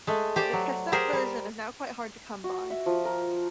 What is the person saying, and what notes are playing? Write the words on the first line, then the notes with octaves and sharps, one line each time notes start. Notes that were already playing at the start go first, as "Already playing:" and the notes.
The cassette version is now quite hard to come by.
G#3 A3
G4 C5 D5
F#3
G4 G#4 A#4 C5
G3
F#4
E5
F3
A#4